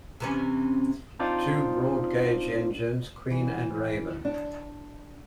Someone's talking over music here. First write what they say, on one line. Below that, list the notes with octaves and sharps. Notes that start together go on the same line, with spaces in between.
Two broad gauge engines: "Queen" and "Raven".
C3 E3 C#4
C4 D4 D#4 F4 C5 D5
E3
D4